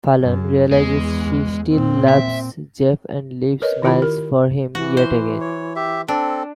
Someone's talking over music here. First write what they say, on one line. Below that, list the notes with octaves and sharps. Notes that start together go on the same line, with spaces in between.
Fallon realizes she still loves Jeff and leaves Miles for him yet again.
F#2
E2 G#3
A#2 C4
E5
A#4 B4 C#5 D#5
D#3 E4 F4 G4 B5
A#4
E3 F#4
C5
C#5
G4 E5
C4 D4 A4